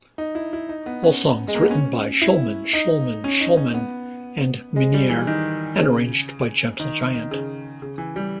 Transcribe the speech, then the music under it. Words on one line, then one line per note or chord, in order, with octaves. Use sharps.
All songs written by Shulman, Shulman, Shulman and Minnear and arranged by Gentle Giant.
D#4
E4
E4
D#4
B3
C#4
G#3
A#3
B3
C#4
E4
D#4
C#4
D#4
C#4
B3
G#3
G3
E3
D#3
C#3
D#3
D#3
C#3
C#3
E3
G3